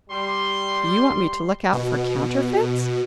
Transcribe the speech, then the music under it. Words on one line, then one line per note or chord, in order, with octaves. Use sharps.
"You want me to look out for counterfeits?"
G3 C6
B2